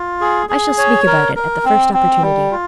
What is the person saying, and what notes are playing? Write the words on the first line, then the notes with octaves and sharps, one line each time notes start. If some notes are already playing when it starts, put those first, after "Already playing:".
I shall speak about it at the first opportunity.
Already playing: F4
G#4
G#4
C#5
A#4
A#4
C4
C4
G3
F4